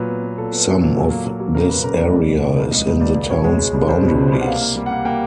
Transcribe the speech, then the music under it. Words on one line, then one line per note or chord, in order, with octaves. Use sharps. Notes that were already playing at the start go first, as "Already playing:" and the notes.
Some of this area is in the town's boundaries.
Already playing: A#2 F#3 B4
B3
B3
A#2 A4
B3
F#3
A#2
F#3
A#3
A#3
F#3
C#3 A#4
C#3 B4
C#3 A#4
E2 D5
C#2
B2
B2
C#2
C#2 D#5
C#2
C#2 D5
C#2
B2 C#5
G#3
G#3
C2
C2 C5
B2
B4
C4
C2 C5
F#5
A#3 F5
A#3
G3
A#3 F#5
A#3 G5